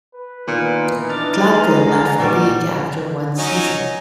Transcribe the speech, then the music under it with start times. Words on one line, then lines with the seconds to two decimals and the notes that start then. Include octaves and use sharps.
Glanville left the league after one season.
0.15 B4
0.48 A#2 D#3 E3 B3 D#4
1.10 D4 F6 A6
1.53 G#3 A#5
2.19 A#2 G3 F#4
3.38 F#3 C#4 D#4